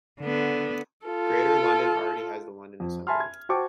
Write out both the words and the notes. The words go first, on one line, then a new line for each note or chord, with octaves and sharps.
Greater London already has the London Assembly.
D3 B3
F4 A4
F2
E5 G#5 A5 B5 C6 F6
G#6
F#4 C5 G5 A5 C#6 D6